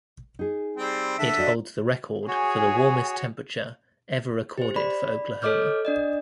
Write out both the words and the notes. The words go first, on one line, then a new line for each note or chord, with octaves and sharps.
It holds the record for the warmest temperature ever recorded for Oklahoma.
D#4 G#4
G3 C4
D3 E5
F#4 D5 D#5
F#4 G#4 C#5 G#5
G4 C5
D5 B5
A4 C#5 D#5 D6 F6 G6
D4 D5 D#5